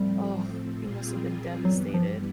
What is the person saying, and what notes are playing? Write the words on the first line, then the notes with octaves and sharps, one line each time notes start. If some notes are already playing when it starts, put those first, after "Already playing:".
oh, he must have been devastated.
Already playing: A2 F3 G3 A3 C4
A#2 G3 C4 F4 G#4
G2 E3 F#3 G3 B3
F3